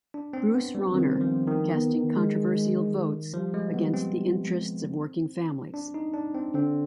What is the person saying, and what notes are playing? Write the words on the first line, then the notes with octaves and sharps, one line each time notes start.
Bruce Rauner, casting controversial votes against the interests of working families.
D4
C4
B3
G3
D#3 C4
F3
D#3
B3
G#3
F3 G3
G#3
G3 B3
C4
G3
G#3
D4
D#4
D4
C4
D3 C4